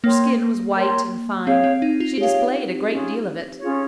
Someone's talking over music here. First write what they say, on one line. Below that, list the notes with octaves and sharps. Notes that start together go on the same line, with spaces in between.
Her skin was white and fine; she displayed a great deal of it.
A#3 A#4 C#5 G5 C6
A#4 C#5 G5 C6
C4 G#4 C#5 F5
C4
D#4
F4
G4 G#4 C#5 F5
C#4 F4 G#4 C#5
C#4 F4 G#4 C#5